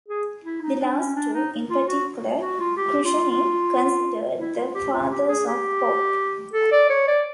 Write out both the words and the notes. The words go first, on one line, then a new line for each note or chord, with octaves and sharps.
The last two, in particular, Krushenick considered the fathers of pop.
G#4
E4
D#4
D4
C#4
D4
D#4
F4
F#4
F#4
F4
G4
F4
F4
E4
F4
G4
F4
G4
G#4
G4
A4
D5
C#5
D5